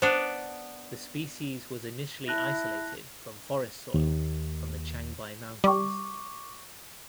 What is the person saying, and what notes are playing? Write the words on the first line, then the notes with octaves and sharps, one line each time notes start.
The species was initially isolated from forest soil from the Changbai Mountains.
B3 D4 C5
E4 A5 F#6 A#6
D#2
G3 C#6 D6